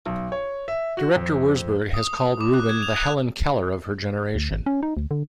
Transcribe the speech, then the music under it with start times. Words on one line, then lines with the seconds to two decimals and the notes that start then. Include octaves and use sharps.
Director Wurzburg has called Rubin the Helen Keller of her generation.
0.06 B1
0.32 C#5
0.68 E5
0.97 F#4
1.16 F2
1.94 D#6
2.41 D6
2.54 F#6
2.69 G#6
2.83 F7
2.96 F#6
4.35 D2
4.51 G#1
4.66 C#4
4.83 D#4
4.97 D2
5.11 D3